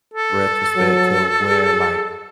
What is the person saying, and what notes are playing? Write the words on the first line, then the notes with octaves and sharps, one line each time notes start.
retrospect to where, like,
A4
F#3
G#4